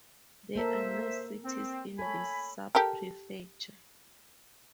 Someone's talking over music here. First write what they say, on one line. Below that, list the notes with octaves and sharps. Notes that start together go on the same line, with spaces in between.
There are no cities in this subprefecture.
A#3 A4 A#4 C5 E5
C4
A4 C#5 G#5 B5
G4 A4 A#4